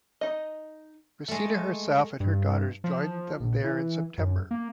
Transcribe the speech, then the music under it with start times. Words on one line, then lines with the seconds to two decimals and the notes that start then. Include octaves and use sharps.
Christina herself and her daughters joined them there in September.
0.21 D#4 D#5
1.28 G#3 A3
2.20 G2
2.84 F3
3.40 A#1
3.64 E3
4.18 F#2
4.51 A#3